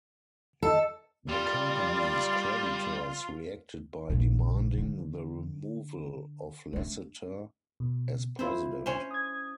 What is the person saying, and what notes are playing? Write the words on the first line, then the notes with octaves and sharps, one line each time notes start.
The company's creditors reacted by demanding the removal of Lassiter as president.
A4 D#5 E6
G3 F4 D5
A#1 C#3
D3
A3 D4
B2
C4 E4 F4 C5
C#4 C5
D#6 G#6